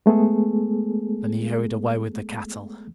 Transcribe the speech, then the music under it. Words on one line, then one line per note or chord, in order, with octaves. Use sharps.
Then he hurried away with the cattle.
G#3 A3 B3 G#4 A4